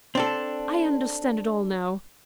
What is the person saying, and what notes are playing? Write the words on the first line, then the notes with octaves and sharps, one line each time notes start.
I understand it all now.
C4 D4 A4